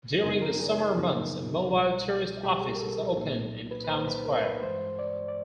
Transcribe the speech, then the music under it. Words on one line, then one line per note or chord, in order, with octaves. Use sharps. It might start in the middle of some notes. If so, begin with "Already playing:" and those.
During the summer months, a mobile tourist office is opened in the town square.
F#2 C#3 F#3 B3 D#4 A#4
A#4
G#4
G#4
F#2 C#3 F#3 B3 D#4
C2 B2 G3
C2 B2 G3 G4
G#4
A#4
A4
A#4
C2 A#2 F#3 A#3 D#4 G#4
B4
B4
C2 A#2 F#3 A#3 D#4 C5
B4
A#4
B4
G2 E3 G#3 C5
D5
D5